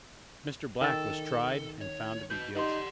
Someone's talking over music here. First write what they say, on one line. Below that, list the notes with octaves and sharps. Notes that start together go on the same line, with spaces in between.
Mr. Black was tried and found to be guilty.
D#3 A4 G5 E6 A6
C#5
F#4 B4 G6
D#4 G4 D5 F#5 C6